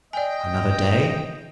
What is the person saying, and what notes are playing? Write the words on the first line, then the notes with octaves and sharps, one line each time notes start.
Another day?
D5 D#5 G5 G#5